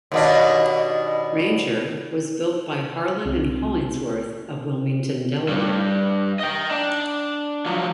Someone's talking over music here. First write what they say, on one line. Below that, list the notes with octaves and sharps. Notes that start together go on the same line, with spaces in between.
"Ranger" was built by Harlan and Hollingsworth of Wilmington, Delaware.
D#2 B2 D4
C2 C4
G2
D#5 G5
D4
F3 F#3